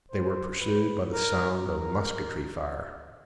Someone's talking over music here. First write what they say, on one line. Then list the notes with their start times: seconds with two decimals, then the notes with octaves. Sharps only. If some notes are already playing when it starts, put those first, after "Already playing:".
They were pursued by the sound of musketry fire.
0.11 C5
0.61 B4
1.13 A#4
1.63 A#4